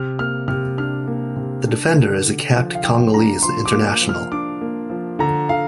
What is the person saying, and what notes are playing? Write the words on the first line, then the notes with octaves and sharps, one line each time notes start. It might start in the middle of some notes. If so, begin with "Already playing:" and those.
The defender is a capped Congolese international.
Already playing: C3 F6
A#3 F6
C3 F6
D4 F6
A#3
C3
D4
D3
D3
F3
F5
F3 G5
D4 A#5
F3 C6
D6
A#3
D6
F3
F6
D4 D6
A#3
F3
D3 A#5
D3 F5